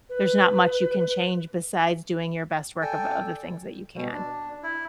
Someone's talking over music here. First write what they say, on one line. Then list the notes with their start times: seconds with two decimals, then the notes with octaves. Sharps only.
there's not much you can change besides doing your best work of of the things that you can,
0.09 B4
2.82 A4 D5 G5 G#5
3.95 B2
4.13 D4
4.63 E4